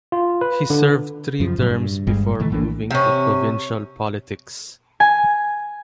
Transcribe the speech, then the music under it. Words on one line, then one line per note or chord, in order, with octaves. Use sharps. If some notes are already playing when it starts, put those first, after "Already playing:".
He served three terms before moving to provincial politics.
F4
B4
D3
F#2 C#3 F3
A2 C#3 F#3
G2
G1 G2 G3 G#3
C3 D#3 E3 A3
A#1 E3 A#3 D4
C3 C#4
G#5